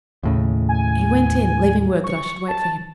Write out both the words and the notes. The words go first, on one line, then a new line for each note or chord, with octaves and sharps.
He went in, leaving word that I should wait for him.
D#2 A2 C#3
G#5
C#6
A5